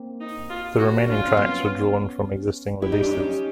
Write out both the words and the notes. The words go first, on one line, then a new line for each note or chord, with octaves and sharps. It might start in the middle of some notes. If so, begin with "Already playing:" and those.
The remaining tracks were drawn from existing releases.
Already playing: A#3 C4
D#4
F4
F#4
D4 F4
C#4
C4
B3 C#4
E4 G4
D#4
D4
C#4 D#4